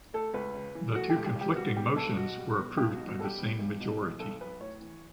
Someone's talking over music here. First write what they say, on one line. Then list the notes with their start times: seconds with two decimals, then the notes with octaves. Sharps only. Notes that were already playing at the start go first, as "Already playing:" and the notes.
The two conflicting motions were approved by the same majority.
0.14 A3 A4
0.34 C#2 B4
0.54 C#3
0.75 E3
0.95 A3 F#4
1.10 G4
1.16 C#2
1.26 G4
1.35 C#3
1.41 G4
1.56 G3 F#4
1.76 B3 G4
1.96 B1 A4
2.17 B2 F#4
2.38 G3
2.57 B3
2.77 B1 G4
2.93 B2 F#4
3.09 F#4
3.19 G3 A4
3.24 G4
3.38 B3
3.59 B1
3.80 B2
4.00 E3
4.20 B1 A4
4.41 B1 B4
4.60 A2 C#5
4.81 E3